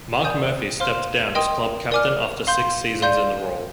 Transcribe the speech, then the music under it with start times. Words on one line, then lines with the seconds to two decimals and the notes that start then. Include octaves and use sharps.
Marc Murphy stepped down as club captain after six seasons in the role.
0.24 D5 G#5 D#6 G6
0.80 C5 F5 C6 F6
1.35 A#4 D#5 G5 C6 D#6
1.91 A#4 D5 G#5 D6 F6
2.47 F5 C6 G6
3.02 D5 F5 C6 G6